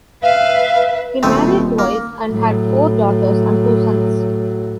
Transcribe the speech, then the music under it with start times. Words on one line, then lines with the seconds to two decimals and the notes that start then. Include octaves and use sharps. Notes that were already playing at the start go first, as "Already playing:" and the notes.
He married twice and had four daughters and two sons.
0.23 B4 E5 F5
1.23 D#1 B2 A3 C4
1.79 A#3
2.27 A2 F#3